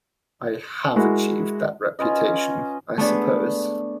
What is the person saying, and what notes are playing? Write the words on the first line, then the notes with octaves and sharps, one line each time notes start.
I have achieved that reputation, I suppose.
G#3 E4 F#4 A#4
C#4 F4 B4 D#5
A3 B3 D4 G#4